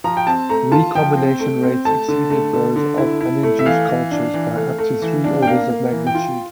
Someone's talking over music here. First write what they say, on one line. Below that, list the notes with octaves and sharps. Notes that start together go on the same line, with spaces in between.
Recombination rates exceeded those of uninduced cultures by up to three orders of magnitude.
F3 A#5
G5
C4 A5
A3 A#5
F4 A5
F3 G5
C4
A3
C4
A3 A5
D3
A3
D3
D3
E4
E4
A3
E5
E3 F5
E3
D4
E3
A3
A3
E3
D4
G5
A#3 F5
A#3
E3
G5
F4